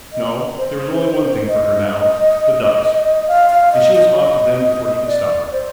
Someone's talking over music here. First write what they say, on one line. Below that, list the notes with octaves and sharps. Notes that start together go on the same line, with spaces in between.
No--there was only one thing for her now--the ducks, and she was off to them before he could stop her.
D#5
C5
D#5
F5
F5
D#5
D#5
D#5
D#5
D5
C5